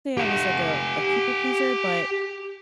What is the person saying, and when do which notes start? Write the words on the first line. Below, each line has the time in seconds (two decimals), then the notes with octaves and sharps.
say I was like a a people pleaser, but
0.17 G4 F#5